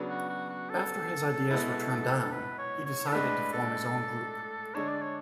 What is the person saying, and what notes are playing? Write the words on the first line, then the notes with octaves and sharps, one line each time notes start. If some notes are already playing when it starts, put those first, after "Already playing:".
After his ideas were turned down, he decided to form his own group.
Already playing: C#3 F#3 B3 D4
F#4
F#4
F#4
A4
B2 G#3 B3 E4
B4
C#5
C#5
A4
A2 G#3 D4 B4
A4
D3 G#3 D4 C#5
D5
C#5